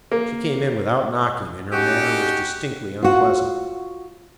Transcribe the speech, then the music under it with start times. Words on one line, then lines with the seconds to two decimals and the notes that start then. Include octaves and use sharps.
She came in without knocking, and her manner was distinctly unpleasant.
0.12 A#3
1.72 C#4 D#4 F#4 G4
3.02 F4 F#4